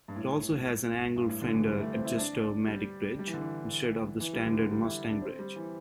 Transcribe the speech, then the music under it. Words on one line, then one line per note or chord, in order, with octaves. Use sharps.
It also has an angled Fender adjusto-matic bridge instead of the standard Mustang bridge.
G2
A2
G2
A2
D3
E3
G3
A3
C4
E4
D4
G3
G3
E3
D3
E3
E3
G3
D3
D3
G3
E4
D4
C4
G3
E3